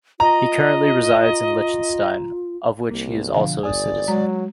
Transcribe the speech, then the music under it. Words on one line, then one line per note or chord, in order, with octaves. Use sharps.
He currently resides in Liechtenstein, of which he is also a citizen.
F4 D#5 A#5
C2 A#3
B2 D3 F3 F5
G1 D5 G#5 D#6
F#3 G#3 A#5